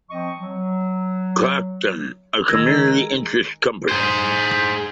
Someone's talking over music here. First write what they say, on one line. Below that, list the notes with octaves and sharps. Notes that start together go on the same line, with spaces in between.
Clacton, a community interest company.
F3 C4 D#5 C#6
F#3
D#3 G#3 A#4 E6 G#6 A#6
G#4 C5